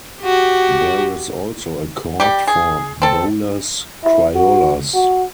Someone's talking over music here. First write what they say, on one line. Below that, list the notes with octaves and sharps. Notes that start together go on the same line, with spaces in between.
There is also a court for bolas criollas.
F#4 G4
G3 G4
G#4
C4 A4
E4
F#4
F#4